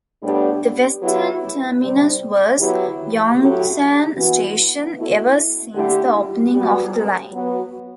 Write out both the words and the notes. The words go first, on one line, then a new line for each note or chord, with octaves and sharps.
The western terminus was Yongsan Station ever since the opening of the line.
A2 G3 B3 D4 G4
F#3 B3 E4 G4
C3 G3 C4
F#3 B3 E4 G4
A2 F#3 A3 E4 G4
E3 B3 F#4
B2 A3 E4
D3 A3 E4 G4
G3 B3 F#4
F#3 B3 F#4